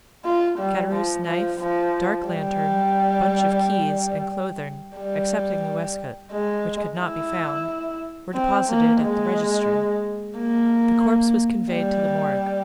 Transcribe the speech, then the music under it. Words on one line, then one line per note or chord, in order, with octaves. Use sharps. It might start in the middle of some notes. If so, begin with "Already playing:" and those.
Caderousse's knife, dark lantern, bunch of keys, and clothing, excepting the waistcoat, which could not be found, were deposited at the registry; the corpse was conveyed to the morgue.
F4
G3
F3
F3
F3
G3
G3
G#3
E4
C4
A#3
G#3
A#3
G3